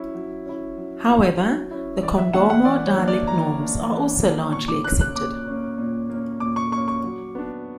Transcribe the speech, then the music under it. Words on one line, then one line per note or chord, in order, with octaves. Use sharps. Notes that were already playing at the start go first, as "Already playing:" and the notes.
However, the Kondoma dialect norms are also largely accepted.
Already playing: F#3 C#4 E4
F#3
C#4 E4
F#3
C#4 E4
F#3
C#4 E4
E3 D5
E5
A#3 D4 F#5
F#5
E3 D5
C#5
A#3 D4
D5
E3 A#5
A#3 D4
E3
A#3 D4
A#2 C#6
D6
A#3 C#4 F#6
F#6
A#2 D6
A#3 C#4
A#2
A#3 C#4
A#2 D6
C#6
A#3 C#6
C#4
C#6
F#3
B3 D4